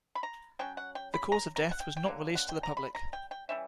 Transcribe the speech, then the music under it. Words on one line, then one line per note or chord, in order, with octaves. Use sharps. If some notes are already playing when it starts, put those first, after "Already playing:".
The cause of death was not released to the public.
B5
A#5
F#3 C#4 G5
F#5
G5
B5
A#5
A#5
F#5
G5
G5
D3 F#3 A#3
F#5
G5
A#5
B5
A#5
G5
G5
E3 G3 C#4 E5